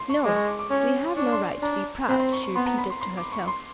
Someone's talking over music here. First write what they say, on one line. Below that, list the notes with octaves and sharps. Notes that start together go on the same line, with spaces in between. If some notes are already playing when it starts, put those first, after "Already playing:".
"No, we have no right to be proud," she repeated to herself.
Already playing: C6
C#6
G#3 D6
C#6
D6
D6
C#4 C#6
D4 C#6
C6
D4 A#5
C4 B5
C6
C#6
C#6
B3 C6
A#5
B5
C6
C6
D6
C#6
C6